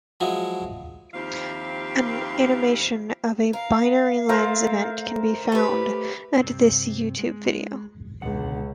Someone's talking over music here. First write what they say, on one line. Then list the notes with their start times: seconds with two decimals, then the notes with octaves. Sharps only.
An animation of a binary lens event can be found at this YouTube video.
0.20 F3 F#3 G#3 E4 F#4
1.14 D#2 F3 C4 E4 G4 F5
3.53 A#4 F5
4.29 A3 A#4 C5
5.52 A3 G4 B4
6.42 G2 C3 C4
7.19 G#3
8.22 C#2 B2 D3 F#5